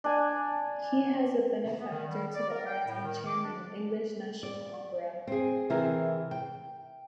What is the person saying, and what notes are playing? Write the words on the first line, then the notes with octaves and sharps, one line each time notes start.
He has been a benefactor to the arts and Chairman of English National Opera.
D4 G#5
B3
D#3
G3
D5
A#4
G5
A2
D#3
D6
D4
D5
C4 G#4
C3 E3 E4 G#4 A#4
G5